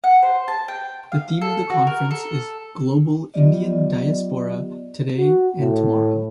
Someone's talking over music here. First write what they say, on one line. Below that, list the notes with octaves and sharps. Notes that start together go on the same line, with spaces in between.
The theme of the conference is "Global Indian Diaspora: Today and Tomorrow".
F#5
C5
A5
G5
F5
A4
F#4
A#4
A4
F#3 B3 F4 G4 D5 D#5
F#4
A2